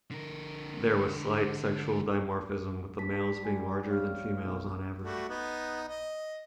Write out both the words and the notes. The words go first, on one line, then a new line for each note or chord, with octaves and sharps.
There was slight sexual dimorphism with the males being larger than females on average.
D3 A#4
G3 A5 B6
F#4 G#5
C#5 F5 F6
B1
G3 A3 F#4
B3 D#4
D#5